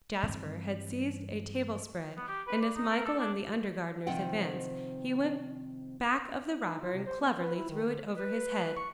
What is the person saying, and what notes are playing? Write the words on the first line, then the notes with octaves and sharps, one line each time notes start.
Jasper had seized a table-spread, and as Michael and the undergardeners advanced, he went back of the robber, and cleverly threw it over his head.
G2 E3 C4
B3
G4
B4
D5
D#4
A#4
A4
D4
C3 D#3 F3 C4 F#5 G5
D#4
F4
C3
C5
B3
B4
E4
D#3
D3
B4
C#6